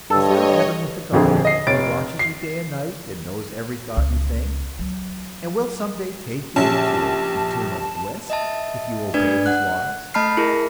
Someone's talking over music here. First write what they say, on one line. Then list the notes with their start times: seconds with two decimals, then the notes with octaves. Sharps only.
Is there a heaven with a God, who watches you day and night, and knows every thought you think, and will some day take you to eternal bliss if you obey his laws?
0.10 G2 A4 C#5 D#5
1.12 D#1 F2 D3 G#4 G#5
1.45 D#5 C7
1.67 F1 C#5 A6 D7
2.19 C7
3.97 C#2
4.79 F#3
6.56 A#1 C#4 G4 A5
8.30 D#5 E5 A5
9.14 A3 D4 B4 D5 G#6
9.46 F#5 F#6
10.14 A3 D#5 A5 B5 F6 C7
10.37 E4 G#4 A#4